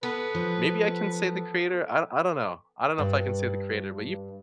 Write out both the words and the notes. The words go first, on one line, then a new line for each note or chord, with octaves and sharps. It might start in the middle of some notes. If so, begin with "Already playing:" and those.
maybe I can say the creator? I I don't know. I don't know if I can say the creator, but you
B3 A4 B4
F3
G2